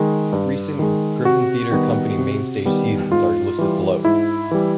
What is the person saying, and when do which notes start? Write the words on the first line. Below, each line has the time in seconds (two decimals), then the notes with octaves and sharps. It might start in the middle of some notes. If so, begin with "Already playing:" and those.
Recent Griffin Theatre Company mainstage seasons are listed below.
Already playing: D#3 G#3
0.33 G2
0.79 D#3 G#3
1.25 C3 F#4
1.72 D#3 G3 B3
2.18 C3
2.65 D#3 G3 B3
3.12 G#2 F4
3.59 E3 G3
4.05 G#2 E4
4.51 E3 G3